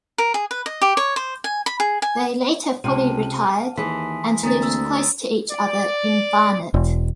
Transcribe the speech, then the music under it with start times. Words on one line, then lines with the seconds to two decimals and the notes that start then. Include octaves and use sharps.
They later fully retired, and lived close to each other in Barnet.
0.18 A#4
0.34 G#4
0.51 B4
0.66 D#5
0.82 G4
0.97 C#5
1.16 C5
1.44 G#5
1.66 B5
1.80 G#4
2.02 G#5
2.84 C#2 C3 A5 F6 D#7
3.77 D#2 E3 G#4 C6 B6
4.43 D2 A#3 C4 A#5 D#6 A6
4.63 E6
5.52 D5
6.74 E1